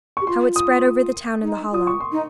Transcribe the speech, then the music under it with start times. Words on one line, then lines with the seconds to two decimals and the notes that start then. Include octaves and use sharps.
How it spread over the town in the hollow!
0.17 G4 C#6
0.27 F4 C6
0.56 D#6
1.43 D#4
1.72 F4 D#6
1.87 C#6
2.00 C6
2.12 D#4